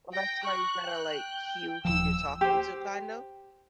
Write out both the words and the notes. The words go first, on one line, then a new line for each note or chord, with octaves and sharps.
Well, that's why you gotta, like, cue who you're talking to, kind of,
G5 A#6
C#6 F#6
G5
D#1 F3 E6
G4 C5